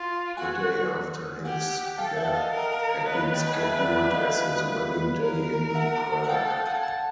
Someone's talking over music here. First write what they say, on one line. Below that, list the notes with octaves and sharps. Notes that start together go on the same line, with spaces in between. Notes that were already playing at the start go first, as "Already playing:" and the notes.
The day after his death had been scheduled as his wedding day in Prague.
Already playing: F4
F#4 F#5 G#5
G4 F#5 G#5
A4 F5 G5
E5 F#5
D#5 F5
A#4
B4 C#5 D#5
C#5 D#5
G5 A5
F#5 G#5
E5 F#5
D5 E5
D5 E5
D#5 F5
B4
A#4
E5 F#5
F#5
A4 F5 G5
F5 G5
F#5 G#5
A5